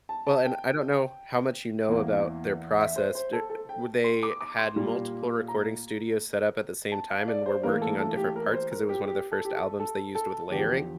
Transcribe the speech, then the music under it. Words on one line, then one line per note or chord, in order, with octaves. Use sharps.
Well, and I don't know how much you know about their process. D w they had multiple recording studios set up at the same time and were working on different parts- 'cause it was one of the first albums they used with layering.
A5
A5
G5
E2 E3 A#3
E5
C5
C5
A4
A4
G5
C6
D6
D6
C6
A#2 G3 A#3
A#5
A5
F5
D5
C5
A2 E3 A#3 A#4
A4
A4
G4
A#4
C5
A#4
G4
G4
A4
G4
A4
A4
A4
E2 D3 F3 G4